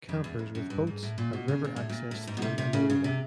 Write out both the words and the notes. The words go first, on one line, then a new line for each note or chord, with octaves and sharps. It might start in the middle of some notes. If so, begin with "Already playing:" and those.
Campers with boats have river access through a marina.
F2
E2
F2
F#2
G2
G#2
A2
A#2
B2
C#3
A#2
A2
A#2
A2
G#2
B2
C3
C3
C#3
C#3
C3